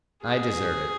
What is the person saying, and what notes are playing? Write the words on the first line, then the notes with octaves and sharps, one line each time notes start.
"I deserve it."
G#4